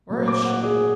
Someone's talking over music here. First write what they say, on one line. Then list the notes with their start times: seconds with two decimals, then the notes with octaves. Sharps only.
"Where is she?"
0.09 A#2 F#3 A#3
0.28 D6
0.45 F#5
0.63 G#4